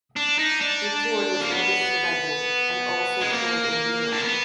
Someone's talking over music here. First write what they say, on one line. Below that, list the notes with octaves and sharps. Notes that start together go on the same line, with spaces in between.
He toured with Maurice Chevalier and also toured in Europe.
D4
D#4
D4
A#3
B3
G#3
A#3
D4
B3